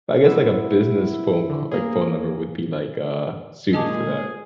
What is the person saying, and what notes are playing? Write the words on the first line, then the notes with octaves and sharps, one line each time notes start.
I guess, like, a business phone ca like, phone number would be, like, uh, suited for that.
C3 B3 E4 E6
D3
A#3 G#4
A#2 G#3 G#4 D#5 A5 D6